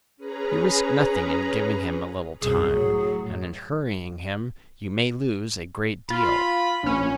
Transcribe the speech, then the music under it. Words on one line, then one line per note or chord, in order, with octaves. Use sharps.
You risk nothing in giving him a little time, and in hurrying him you may lose a great deal.
C#4 G#4 B4 A#5
C2 F#2 G#4
A2 F#3
F4 B5
A#1 C#4